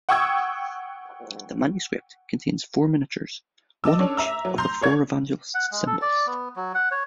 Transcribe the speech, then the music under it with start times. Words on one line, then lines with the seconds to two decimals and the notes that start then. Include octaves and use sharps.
The manuscript contains four miniatures, one each of the four Evangelists' symbols.
0.09 F#5 G5 C#6 D#6 E6 G#6
3.84 D#5 A5 D6 E6
3.99 C#4 D4 C#5
4.17 E5 A#5 E6
4.45 F#3
4.58 A#5 C6 G6
4.81 G#4 A#4 C#5 D5 C#6 G#6
5.54 F#5
5.72 G#3
5.87 A4
6.02 D5
6.27 B3
6.56 F#3
6.74 F#5
6.91 C#5